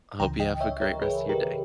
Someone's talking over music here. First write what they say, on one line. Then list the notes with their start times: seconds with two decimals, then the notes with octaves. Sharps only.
I hope you have a great rest of your day.
0.20 C#2 C#3 E3 G5 A#5
0.40 D#5 G5
0.60 C#5 E5
0.81 A#4 C#5
1.02 G#4 B4
1.29 G4 A#4